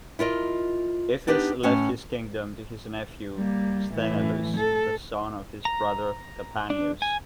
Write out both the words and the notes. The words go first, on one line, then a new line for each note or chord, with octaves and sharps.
Iphis left his kingdom to his nephew Sthenelus, the son of his brother Capaneus.
E4 F4 A#4 D#5
B3 D4 D#4 G4 B4
A2 C#4 A5
G3 A#3
A2 E3
A4
A#5
D4
G#5